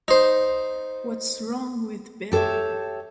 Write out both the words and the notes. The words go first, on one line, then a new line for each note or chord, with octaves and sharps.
What's Wrong with Bill?
D#4 C5
G4 A4 C5 C#5 E5